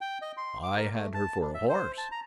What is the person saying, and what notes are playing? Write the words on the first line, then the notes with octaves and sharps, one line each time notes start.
"I had her for a horse."
G5
D#5
C6
D6
A#4
A3
A5
D4
E5
C5
A5
A#5